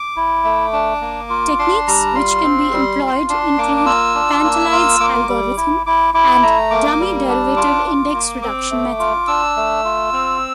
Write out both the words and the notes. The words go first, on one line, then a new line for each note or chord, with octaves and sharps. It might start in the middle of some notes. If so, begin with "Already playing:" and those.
Techniques which can be employed include "Pantelides algorithm" and "dummy derivative index reduction method".
Already playing: D6
E4
A3
D4
A#3
F4
D4 C6
G3 A#5
F4 C6
C4
G3
F4
D4 C6
A#3 D6
D6
F4 E6
D4
A#3
F4
A#3 D6
G3
E4
E4 D6
E4 D6
A3 A#5
A#3 D6
G3
D4
F4 D6
F4
A#3
C4 D6
A3
F4
D4 E6
A3
F4
C4